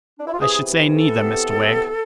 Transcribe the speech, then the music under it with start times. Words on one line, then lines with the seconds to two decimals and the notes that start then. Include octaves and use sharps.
'I should say neither, Mr Wegg.'
0.19 D4
0.26 E4
0.33 F4
0.40 C3 E3 B3 G#4
0.91 A4
1.16 C3 E3 B3